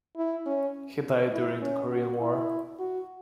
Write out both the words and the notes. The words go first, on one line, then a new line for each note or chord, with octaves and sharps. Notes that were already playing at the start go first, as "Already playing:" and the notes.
He died during the Korean War.
E4
C#4
E4
C#4
F#4
E4
F#4